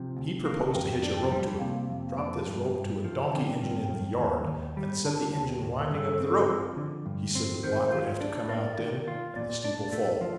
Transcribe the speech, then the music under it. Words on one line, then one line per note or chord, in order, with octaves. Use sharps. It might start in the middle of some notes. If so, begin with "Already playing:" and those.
He proposed to hitch a rope to it, drop this rope to a donkey-engine in the yard, and set the engine winding up the rope. He said the block would have to come out then and the steeple fall.
Already playing: C3 F3
D2
A#3
F2 C4
D4
C4
G3
C3 A#3
F2
D4
G2
G2
F3
D3 C4
G2
G2
D#2
D#2
G3
D3 D4
D#2
D#2
G2 A4
C4
F3
D3
G2
C4
D#3 C5
F4
D4
A#3 D5
D#3
F4
A#2 D5
D4
A3
F3